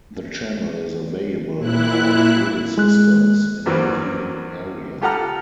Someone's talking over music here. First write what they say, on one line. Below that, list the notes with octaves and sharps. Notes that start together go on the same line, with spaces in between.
The channel is available on all cable systems in the viewing area.
A#2 E4 F#6
G#3 F#6
E2 G2 E3 F#3 A#3 C4
F4 G4 A4 F#5 A#5 F6